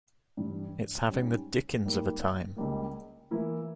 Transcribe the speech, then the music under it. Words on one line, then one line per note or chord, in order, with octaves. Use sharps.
It's having the dickens of a time.
G2 E3 G3
G#2 G3 C#4 G4
G#2 G3 A#3
C#2 C#3 G3 A#3
E3 A#3 E4 A#4